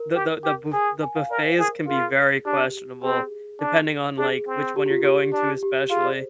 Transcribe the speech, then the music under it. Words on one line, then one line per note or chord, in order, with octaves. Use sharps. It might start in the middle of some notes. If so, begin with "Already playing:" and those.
the the the buf the buffets can be very questionable depending on, like, which one you're going to especially.
Already playing: A#4
G4
G4
G#4
G#5
F5
A#4 D5
C5
G#4 A#4
F4 G#4
D4 G4
C4 G#4
D4
D4 G#4
C4
G4
G4
F4
G4
D4
G4
F4 G#4
D5
C5